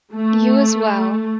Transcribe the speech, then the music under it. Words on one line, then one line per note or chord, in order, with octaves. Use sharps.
You as well.
A3